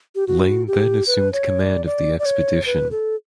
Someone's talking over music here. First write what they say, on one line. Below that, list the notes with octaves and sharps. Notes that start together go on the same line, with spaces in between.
Lane then assumed command of the expedition.
G4
F#4
G4
B4
C#5
D5
D5
D5
C#5
B4
A4